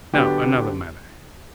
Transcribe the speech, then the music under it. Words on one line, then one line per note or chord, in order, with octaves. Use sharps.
Now another matter.
D3 F#3 B3 D4 G4